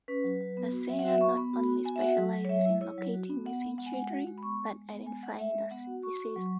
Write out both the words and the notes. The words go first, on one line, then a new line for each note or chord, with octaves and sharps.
The Center not only specializes in locating missing children, but identifying the deceased.
C#4 B4
F#3
F#3
B3
F#4
F#3 E5
F#5
F#4 E5
B3 C#6
B3 B5
F#4
F#4
B3 G#5
E5
F#4 F#5
F#3
F#3
C#5
F#3 E5
E4
E4 C#5
F#3
F#4
B3
B3 F#5
B3
G#3 F#5
G#5
G#3 F#5
F#4
G#3
B5
B3 C#6
G#3
G#3
B3
G#3 G#5
G#3 F#5
G#3 E5
G#3
B3 F#5
F#4
F#4 C#6
F#4
F#3